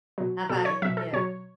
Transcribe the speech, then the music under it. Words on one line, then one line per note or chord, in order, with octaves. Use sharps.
How about you?
B2 F#3
B2 F#3 A4
C#5
B2 F#3 E5
A4
B2 F#3 C#5